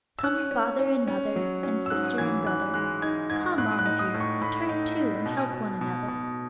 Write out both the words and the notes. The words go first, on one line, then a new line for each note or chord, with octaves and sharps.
"Come, father and mother, And sister and brother, Come, all of you, turn to And help one another."
E6
C#4 F#6
C#4
C#4
C#4
F#3
C#4
E6
G#2 F#6
E3 G#6
E3 F#6
G#3 F#6
D#4 G#6
G#2 G#6
A2 F#6
F#6
D#4
D#6
A2
C#6
A2 B5
D#4
D#4
B2
B2
B2
B2